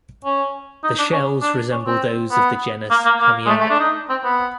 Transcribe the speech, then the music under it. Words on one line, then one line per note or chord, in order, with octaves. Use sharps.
The shells resemble those of the genus "Haminoea".
C#4
D#4
D4
C#4
D4
C#4
C4
B3
A#3
A#3
A#3
G#3
A3
A3
D4
D#4
C4
B3